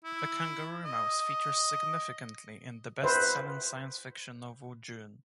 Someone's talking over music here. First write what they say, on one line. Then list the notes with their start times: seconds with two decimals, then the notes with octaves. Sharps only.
The kangaroo mouse features significantly in the best-selling science fiction novel Dune.
0.04 E4
0.84 D#5
3.03 B4 C5 E5